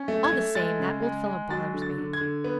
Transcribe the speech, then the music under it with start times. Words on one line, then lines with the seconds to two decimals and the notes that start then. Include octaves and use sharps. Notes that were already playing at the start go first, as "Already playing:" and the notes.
"All the same, that old fellow bothers me."
Already playing: C#4
0.08 A3
0.24 G#6
0.32 A3
0.55 G#3 A6
0.79 C#3
1.02 G#3
1.26 G#3
1.51 F#3 A6
1.74 D3
1.82 A6
1.98 D3
2.13 G#6
2.21 D3
2.44 B3